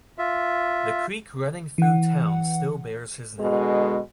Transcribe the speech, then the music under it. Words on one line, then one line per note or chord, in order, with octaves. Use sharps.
The creek running through town still bears his name.
F4 E5
E3 F#5
B2 D3 G#3